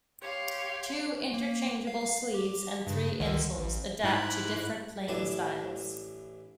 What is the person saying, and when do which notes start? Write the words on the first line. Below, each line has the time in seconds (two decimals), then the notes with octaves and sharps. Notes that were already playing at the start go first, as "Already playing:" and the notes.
Two interchangeable sleeves and three insoles adapt to different playing styles.
0.21 G4 C#5 F5 C6
1.34 A#3
1.87 F5
2.34 G4
2.87 G2 C#3
3.20 C#2 D3 D#3
3.58 A1
4.04 G#2 E4 F#6
5.08 A1 E3 D4 A5